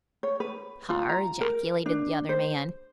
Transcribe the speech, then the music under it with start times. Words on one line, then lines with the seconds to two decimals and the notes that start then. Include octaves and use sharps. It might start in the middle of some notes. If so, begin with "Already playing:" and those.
"Har!" ejaculated the other man.
0.23 C#5
0.40 B4
0.90 F4
1.09 A#5
1.41 A#4
1.86 D4
2.29 C5